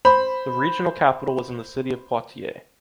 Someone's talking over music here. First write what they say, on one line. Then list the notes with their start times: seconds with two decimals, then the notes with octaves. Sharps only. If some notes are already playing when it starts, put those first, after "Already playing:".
The regional capital was in the city of Poitiers.
0.05 C5 B5